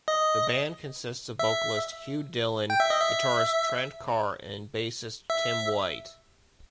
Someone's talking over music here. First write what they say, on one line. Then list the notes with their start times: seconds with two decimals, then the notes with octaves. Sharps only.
The band consists of vocalist Hugh Dillon, guitarist Trent Carr, and bassist Tim White.
0.08 D#5
1.39 E5
2.70 G5
2.80 E5
2.90 D#5
3.01 E5
5.30 E5